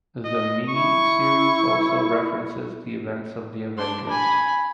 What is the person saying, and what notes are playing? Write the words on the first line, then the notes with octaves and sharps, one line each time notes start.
The miniseries also references the events of "The Avengers".
D#5
E4 C#6
D4 C6
G#5 B5